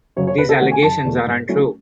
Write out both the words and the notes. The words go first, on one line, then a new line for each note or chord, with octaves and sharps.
These allegations are untrue.
F#2 C#3 F#3 C#5
C#5
D#2 B4
A4
D#3 A3 C#4 F#5
G#5
F#1 A5
E2 B2 A3
G#2
F#3 A3 C#4 E4